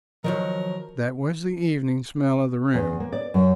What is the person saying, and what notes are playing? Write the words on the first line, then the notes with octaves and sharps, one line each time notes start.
That was the evening smell of the room.
D#3 F3 F#3 A#4
E2
A#3
D5
F#2